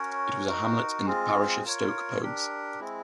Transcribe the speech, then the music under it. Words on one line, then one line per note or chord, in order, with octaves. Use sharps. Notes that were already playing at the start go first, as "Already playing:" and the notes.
It was a hamlet in the parish of Stoke Poges.
Already playing: C#4 F#4 A#4 C#5
D#4 F#4 A#4
G#3 C4 F4
F4 A#4 C#5
D4 G4 A#4
G#3 C4 E4